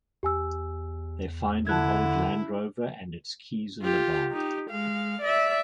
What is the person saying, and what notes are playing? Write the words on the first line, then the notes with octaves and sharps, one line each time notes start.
They find an old Land Rover and its keys in the barn.
E2 G4 G#5 E6
D3 E4 A5 F#6 G#6
F4 G4
D#4 G4
G#3 F5
D5 E5